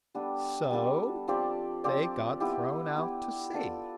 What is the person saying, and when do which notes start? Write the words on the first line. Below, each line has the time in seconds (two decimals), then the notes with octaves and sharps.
So they got thrown out to sea.
0.14 G3 B3 D4 A4
0.71 G3 B3 D4 A4
1.28 F3 C4 G4 D5
1.84 F3 C4 G4 D5
2.40 B3 E4 G4
2.96 B3 E4 G4
3.53 B3 F4 A4 D5